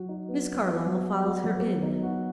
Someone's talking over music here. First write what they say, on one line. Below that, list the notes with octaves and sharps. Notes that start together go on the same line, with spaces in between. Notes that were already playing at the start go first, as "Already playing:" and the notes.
Miss Carlyle followed her in.
Already playing: F#3 F#4
D#4
B3
B3
F#4
F#3
F#4
F#4
F#3
B3
D#4
F#4